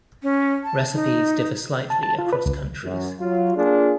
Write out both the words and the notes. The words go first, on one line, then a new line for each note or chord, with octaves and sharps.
Recipes differ slightly across countries.
C#4
A5
D#4
A5
A5
F4
B4
C#2
F#2
F#3 F4
A#3 D4 F4 G#4